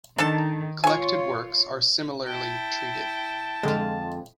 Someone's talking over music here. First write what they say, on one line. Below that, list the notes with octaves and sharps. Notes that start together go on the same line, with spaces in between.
Collected works are similarly treated.
D#3 D4 A4 A5
F4 C#5 G#5 C#6
E4 G5 A5
F2 D3 G#3 F4